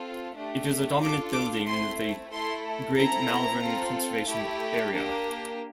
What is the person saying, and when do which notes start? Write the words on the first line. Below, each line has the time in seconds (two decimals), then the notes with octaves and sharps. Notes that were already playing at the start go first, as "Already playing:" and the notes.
It is a dominant building in the Great Malvern Conservation area.
Already playing: C4 F4 A4
0.35 A3 D4 G4
1.00 D4 F4 A4 D6
1.33 D6
1.66 A3 C4 E4 C6
2.31 A3 E4 A4 C6
2.96 C4 E4 A4 A#5
3.62 C4 F4 A4
4.27 A3 E4 G4
4.93 A#3 D4 G4